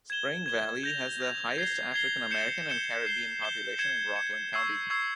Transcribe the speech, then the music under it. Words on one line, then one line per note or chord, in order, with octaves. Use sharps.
Spring Valley has the highest African American and Caribbean population in Rockland County.
G#6 E7 G7
G#6 E7 G7
G6 A#6 F7
G6 A#6 F7
G#6 C7 G7
G#6 C7 G7
G6 C#7 E7 G7
G6 C#7 E7 G7
G6 C7 E7 G7
G6 C7 E7 G7
G#6 C#7 E7
G#6 C#7 E7
C#6 E6 G#6 C7
C#6 E6 G#6 C7